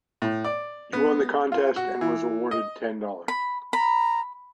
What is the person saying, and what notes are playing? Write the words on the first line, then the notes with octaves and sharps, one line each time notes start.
He won the contest and was awarded ten dollars.
A2
D5
B3
F4
F#4
E3
D#5
B5
A#5 B5